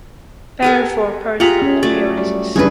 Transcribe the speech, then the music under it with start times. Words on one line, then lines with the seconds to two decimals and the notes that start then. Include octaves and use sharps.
Bear for personal appearances.
0.62 G4 A4 A#4 G#5
1.40 F4 G4 G#4 F#5 A#5 B6
1.62 C#4
1.83 F#3 A3 D5
2.17 G3
2.56 F#2 C#3 E3 G3 D4 G#4 B4